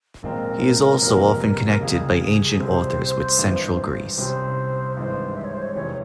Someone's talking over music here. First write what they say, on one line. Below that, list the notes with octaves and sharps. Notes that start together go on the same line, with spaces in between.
He is also often connected by ancient authors with central Greece.
A#1 A#2 G#3 C4 A#4
F2 C3 E3 G3 A#3
C#2 C#3 G3 G#4
C2 C3 G3 C5
G#1 G2 E3
C2 C3 G3 C#4 C5
G#1 G2 E3 G#3 C5
E5
C#5
C5
C#5
F1 E2 E3 G3 C#5